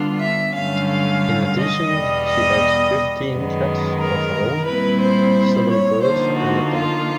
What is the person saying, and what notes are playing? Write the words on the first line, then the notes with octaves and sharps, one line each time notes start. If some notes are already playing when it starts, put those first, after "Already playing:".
In addition, she had fifteen cats of her own, several birds and a dog.
Already playing: D3 G3 B3 D4 F4
E5
G2 D3 F#3 A3 C#4 F5
F5
D#5
E2 B2 G3
D#5
F#2 D#3 G#3 B3
A#4
A#2 G3 C4 E4 B4
C5
C#5
D3 F3 A#3 D#4 C5
F#4
F4